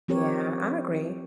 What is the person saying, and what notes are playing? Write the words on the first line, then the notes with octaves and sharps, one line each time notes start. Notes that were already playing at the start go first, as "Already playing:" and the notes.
Yeah, I agree.
F3 C4 G4 A#4 C#5